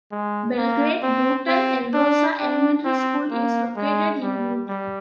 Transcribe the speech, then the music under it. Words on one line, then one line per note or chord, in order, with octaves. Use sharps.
Belgrade-Brooten-Elrosa Elementary School is located in Brooten.
G#3
A#3
C4
C4
D4
D4
C4
A#3
G#3
G3
G3